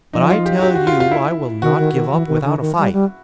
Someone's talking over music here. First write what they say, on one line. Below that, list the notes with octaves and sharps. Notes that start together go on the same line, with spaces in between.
But I tell you I will not give up without a fight.
F3 D#4
F#3 F4
F3
G4
F#4
G4
F#4
F4
F4
E4
D#3 F#4
D#3
D#3
E3
D#3
D3
D#3
G3
G3